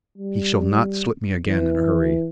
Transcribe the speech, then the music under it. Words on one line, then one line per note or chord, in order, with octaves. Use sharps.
"He shall not slip me again in a hurry."
G3
E3